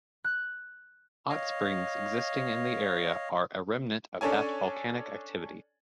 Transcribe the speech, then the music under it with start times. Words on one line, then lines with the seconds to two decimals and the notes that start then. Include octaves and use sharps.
Hot springs existing in the area are a remnant of that volcanic activity.
0.24 F#6
1.30 C#5 D#5 F5
4.21 C#4 D4 A4 C#5 G#5